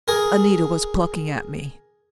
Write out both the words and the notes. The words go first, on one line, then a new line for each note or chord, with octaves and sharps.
Anita was plucking at me.
G#4 A#4